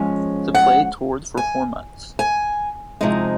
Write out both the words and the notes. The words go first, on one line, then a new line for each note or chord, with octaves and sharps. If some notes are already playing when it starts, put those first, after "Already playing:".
The play toured for four months.
Already playing: F3 G#3 C#4
F#5
G#5
G#5
C3 F3 G#3 D#4